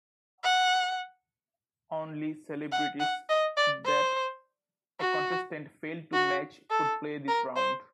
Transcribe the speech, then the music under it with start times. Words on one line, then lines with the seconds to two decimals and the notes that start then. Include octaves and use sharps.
Only celebrities that a contestant failed to match could play this round.
0.44 F#5
2.72 F#5
3.00 F#5
3.29 D#5
3.57 D5
3.85 C5
5.00 F#4
6.14 F#4
6.71 A4
7.28 A#4
7.56 C5